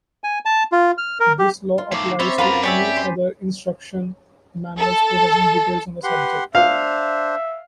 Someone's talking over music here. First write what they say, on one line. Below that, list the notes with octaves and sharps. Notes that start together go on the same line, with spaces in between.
This law also applies to any other instruction manuals possessing details on the subject.
G#5
A5
F4
F6
A#4
G4
F4
D#3 A3 C#5 D6 C7
C4 C#4 E5 B5 A6
F#2 F4 A#4 B4 F#5 A#5 B5 D#7
G4 C#5 D5 E5 G5 G#5 B6
C5
A4
G4 B4 F#5 C6
D4 C5 E5 F5